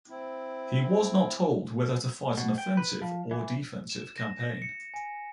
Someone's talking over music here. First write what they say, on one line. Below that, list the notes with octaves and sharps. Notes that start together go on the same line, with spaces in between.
He was not told whether to fight an offensive or defensive campaign.
C4 E4
B2
G5
B4
F3
E3
E7
A#6
A#6
C#7
G#5